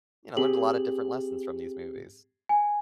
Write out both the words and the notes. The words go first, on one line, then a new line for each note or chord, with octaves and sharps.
you know, learned a lotta different lessons from these movies.
C4 G4 G#4 F#7
G#5